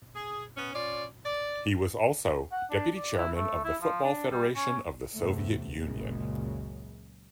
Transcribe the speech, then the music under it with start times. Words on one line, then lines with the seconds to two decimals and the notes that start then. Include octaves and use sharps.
He was also deputy chairman of the Football Federation of the Soviet Union.
0.15 G#4
0.57 B3 C#4
0.73 C#4 F4 D5
1.25 D5
2.52 F#5
2.71 D4
2.97 D5
3.18 E4
3.36 A3
3.64 E4
3.82 F3
4.04 D4
4.31 G3
4.56 C#4
5.18 E2 A2 C3 A3
5.85 C#2 F#2 A#2 C#3 G#3